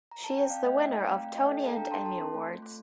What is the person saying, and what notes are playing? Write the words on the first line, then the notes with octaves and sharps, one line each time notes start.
She is the winner of Tony and Emmy awards.
A#5
A5
G5
C4 D5 F5
A3 D#5 G5
D#4
A3 G5 A#5
C4 D5 F5
A3
F4 D#5 G5
A4
A4 F5 A5
D4 G5 A#5
D4 A5 C6
A4 A5 C6
C4
A3
F4
A3